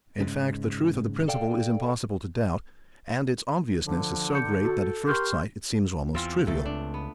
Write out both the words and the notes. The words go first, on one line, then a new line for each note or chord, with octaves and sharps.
In fact, the truth of the principle is impossible to doubt, and its obviousness is so great that at first sight it seems almost trivial.
G#2 C#3
A4 D5 F5 G5
D3 F3
G6 C#7
F#4 A4
G4 A#4 C6 C#6 F6 G6
E2 C4 F4
C#2 A3 A4
D4
B3